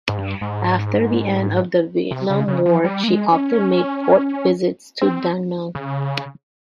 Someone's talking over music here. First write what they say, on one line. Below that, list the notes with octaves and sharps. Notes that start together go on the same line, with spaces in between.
After the end of the Vietnam War, she often made port visits to Danang.
G#2
G2
G#2
C3
C#3
C#3
F3
G3
A#3
G#3
C#4
C4
C#3